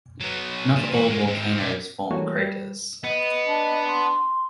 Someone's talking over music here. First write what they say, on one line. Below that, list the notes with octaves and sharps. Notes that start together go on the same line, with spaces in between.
Not all volcanoes form craters.
F#3 B3
A#2
E3 F#4
G#3 A#3
G#2 C4
B2 D5
E3 G3 A3 A#3 F#4 C#5
G3
B3 D#5
D4
C6